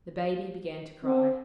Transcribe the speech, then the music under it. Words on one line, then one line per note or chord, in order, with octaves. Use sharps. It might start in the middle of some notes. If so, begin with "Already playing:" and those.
The baby began to cry.
C4